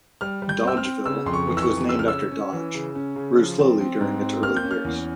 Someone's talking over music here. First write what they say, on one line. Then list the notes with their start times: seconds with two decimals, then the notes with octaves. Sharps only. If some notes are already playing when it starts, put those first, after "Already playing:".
Dodgeville, which was named after Dodge, grew slowly during its early years.
0.21 G3 F6
0.42 G3
0.49 G6
0.64 C4 E6
0.77 F6
0.84 C4
1.06 C#3 E6
1.26 F2 C6
1.33 C#6
1.47 E3
1.57 E6
1.62 C#6
1.69 F2
1.89 C#3 E6
1.99 F6
2.08 C#4 E6
2.31 C#4
2.52 E3
2.74 C#3
2.95 C#4
3.16 C#3
3.37 F3
3.59 C4
3.80 C4
4.01 G#2
4.21 C4
4.42 A#3 F6
4.57 G6
4.63 C#4
4.71 F6
4.84 E2